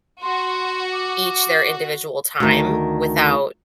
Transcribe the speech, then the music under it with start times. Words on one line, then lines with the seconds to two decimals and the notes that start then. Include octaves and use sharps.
each their individual time without
0.22 F#4 C6
0.92 D6
2.40 D2 D#3